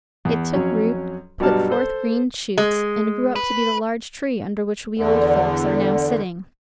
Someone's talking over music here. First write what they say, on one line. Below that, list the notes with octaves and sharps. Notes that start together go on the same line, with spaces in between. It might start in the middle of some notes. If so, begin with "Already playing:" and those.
It took root, put forth green shoots, and grew up to be the large tree under which we old folks are now sitting.'
E2
F2 F#3 C#4
G2 B2 F#3 G3 A5 F6
A4 C5
G#3
B4
E2 D3